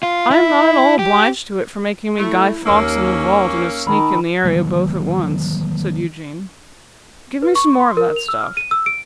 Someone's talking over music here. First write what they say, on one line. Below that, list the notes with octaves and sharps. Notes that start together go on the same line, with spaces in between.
'I am not at all obliged to it for making me Guy Fawkes in the vault and a Sneak in the area both at once,' said Eugene. 'Give me some more of that stuff.'
F4
E4
G4
A3 E4
D#2 A#3 C#4 E6
D#3 A5 B5
D#3 E3 F#3 A#3
B4
C#6
C6
A#4
F7
E6
F6
D#7
E6
D7